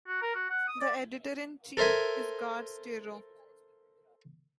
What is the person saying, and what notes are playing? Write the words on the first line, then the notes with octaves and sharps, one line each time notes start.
The editor-in-chief is Gard Steiro.
F#4
A#4
F#4
F#5
D#6
D5
A4 A#4 C5 E5 G#5